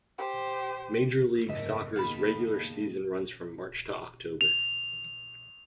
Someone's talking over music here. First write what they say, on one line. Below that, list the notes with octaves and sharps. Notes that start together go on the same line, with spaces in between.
Major League Soccer's regular season runs from March to October.
G4 C5
F#1 G#2 C3 A#4 D#5 E5
D#3 A#3 B3 G#4 F5 A5 B5
F7